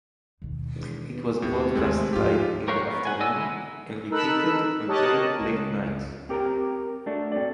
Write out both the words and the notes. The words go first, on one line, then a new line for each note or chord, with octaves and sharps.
It was broadcast live in the afternoon, and repeated on tape, late night.
D#2 B2
E1
B3
D#2 A2 C3
A1 D#2 G#3 A3 C4
G#2 F3 F4 G4
G4 A#4 C#5 F5 F#5
B3
F#5 G#5
A4 D5 D#5 G#5 E6
G#3 D#4 E4
D#4 A4 A#4 B5 E6 F#6
G4 A#4 C#5 D#5 A5 F#6
C#2
C4 G4 A#4 F#5 G5 A#5
A3 D4 F#4
C4 A4 D5